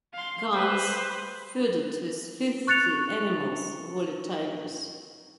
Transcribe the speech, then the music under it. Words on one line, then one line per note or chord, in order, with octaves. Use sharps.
Gunns feuded with the Filthy Animals' valet Tygress.
F5 C6
B4 C5
C#6 F#6 A6 C#7 F7